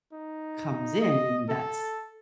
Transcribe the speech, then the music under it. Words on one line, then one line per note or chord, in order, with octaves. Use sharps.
comes in, and that's
D#4
D#5
A4